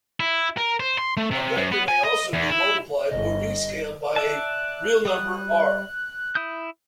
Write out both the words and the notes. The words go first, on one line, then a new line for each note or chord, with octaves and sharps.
A vector may also be multiplied, or re-"scaled", by a real number "r".
E4
A#4
C5
C6
A3
C3
F#2
B3
G#5
D#5
E2
E4
G1 D#5
D5 E5 A5 F#6
G3 D#6
E4 D#6 G6